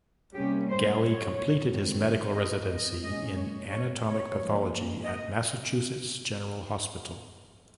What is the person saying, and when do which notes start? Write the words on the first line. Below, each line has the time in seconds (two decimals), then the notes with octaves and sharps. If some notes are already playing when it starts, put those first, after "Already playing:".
Galli completed his medical residency in anatomic pathology at Massachusetts General Hospital.
0.34 C3 G3 A#3 C#4 G4
0.69 C5
1.02 C#5
1.69 G2 D#3 G#3 C4
2.35 D#5
2.69 D#5
3.02 A#2 G#3 C#4 D#5
3.36 C#5
3.70 C#5
4.04 C#5
4.37 G#2 F3 A#3
5.04 D#5